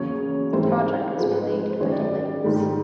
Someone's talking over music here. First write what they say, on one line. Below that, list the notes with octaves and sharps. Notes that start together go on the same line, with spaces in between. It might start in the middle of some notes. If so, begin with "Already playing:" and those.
The project was plagued by delays.
Already playing: E2 C#3 F#3 A#3 C#5
G#2 E3 G3 C4 C5
G#2 F3 G#3 C4 B4
B4
B4
C5
C5
F#2 D#3 G3 C#5
D5
D5
G#2 D#3 G3